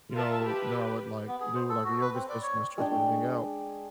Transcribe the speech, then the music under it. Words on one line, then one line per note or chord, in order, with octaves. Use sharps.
you know, then I would, like, do, like, a yoga session to stretch everything out,
F4 A#4 E5 A5
G4 B4
B3
G#4
C5
A4
F#4
B4
C4
D5
C#5
G#3 D4 G#4 G5